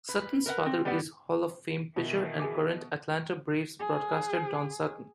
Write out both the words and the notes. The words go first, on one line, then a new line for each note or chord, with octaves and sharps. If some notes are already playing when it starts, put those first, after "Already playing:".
Sutton's father is Hall of Fame pitcher and current Atlanta Braves broadcaster Don Sutton.
B4
A#4 B4 E5 F#5
C4
G3 B3 B4 D5 F#5
B2 D#3 E3
G#4 G#5 D6
G#4